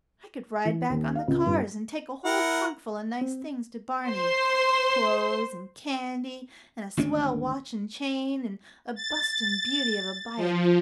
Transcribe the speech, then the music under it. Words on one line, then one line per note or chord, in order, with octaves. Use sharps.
I could ride back on the cars and take a whole trunk full of nice things to Barney,--clothes, and candy, and a swell watch and chain, and a bustin' beauty of a bike.
E3
D#2
F5
C#2
G2
E4 A#4 F#5
C4
C5 C6
G#1 D2 C#4 D4
A6
F3